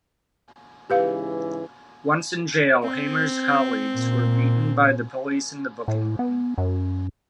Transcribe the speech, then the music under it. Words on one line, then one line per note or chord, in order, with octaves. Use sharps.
Once in jail, Hamer's colleagues were beaten by the police in the booking room.
G#2 C#3 E3 G4 B4 F5
C4
A#2
A2
B3
F#2